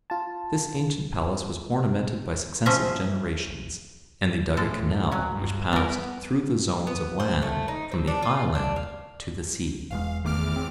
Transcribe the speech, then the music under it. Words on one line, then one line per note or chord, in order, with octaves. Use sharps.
This ancient palace was ornamented by successive generations; and they dug a canal which passed through the zones of land from the island to the sea.
F4 A5
F3 F#3 C#4 D#5 E5
A2 G#3 A4
F#3 C#4
G2
G3 B3 A#4
B3
C5
A3
D#4
C4
D4
F4
D4
F5
E1 E2 G#3 F5
G#1 E2 D#3 A3 D6 F6
C4